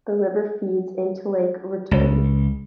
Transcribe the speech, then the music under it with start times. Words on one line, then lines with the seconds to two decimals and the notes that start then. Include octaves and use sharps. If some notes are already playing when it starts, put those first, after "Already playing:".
The river feeds into Lake Rotoiti.
1.91 C#2